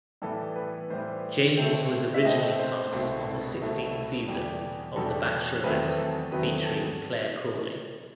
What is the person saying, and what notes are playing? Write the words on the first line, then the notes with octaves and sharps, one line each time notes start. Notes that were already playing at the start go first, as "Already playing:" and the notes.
James was originally cast on the sixteenth season of "The Bachelorette" featuring Clare Crawley.
A2 E3 G3 B3 A4
B4
A2 E3 G3 B3 C5
B2 A3 C4 C5
E5
B2 A3 C4 D#5
C5
C2 B2 A3 C4 A4
C2 B2 A3 C4
E2 B2 G3
E2 B2 G3 A4
E2 D#3 F#3 A3 C4 B4
A4
E2 D#3 F#3 A3 C4 B4
A4